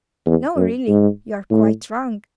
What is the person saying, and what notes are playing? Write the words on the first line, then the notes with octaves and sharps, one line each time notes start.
'No; really you are quite wrong.
E2
F#2
G#2
A2